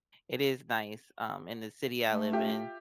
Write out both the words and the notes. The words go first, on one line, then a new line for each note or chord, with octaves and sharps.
it is nice, um, in the city I live in.
A3
F4 G4 E5